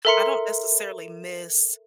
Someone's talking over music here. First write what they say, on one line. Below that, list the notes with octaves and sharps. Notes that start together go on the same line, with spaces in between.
I don't necessarily miss,
A4 A#4 E5 A#5 C6 C#7